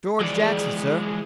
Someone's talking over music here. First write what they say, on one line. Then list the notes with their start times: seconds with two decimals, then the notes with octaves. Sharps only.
"George Jackson, sir."
0.21 E3 F3 G#3 G#4 D5